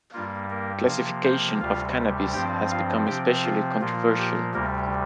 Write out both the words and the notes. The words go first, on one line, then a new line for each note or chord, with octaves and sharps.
Classification of cannabis has become especially controversial.
G2 G3 A#3 F4
A#3 A#4
C3 F3 A#3
C4 C5
D2 C3 G3 F4 F5
G2 F3 C4 G4 G5
F4 F5
C3 F3 C4 G4 G5
F4
A#2 F3 A#3 F4
G4
D2 C3 G3 A#3 A#4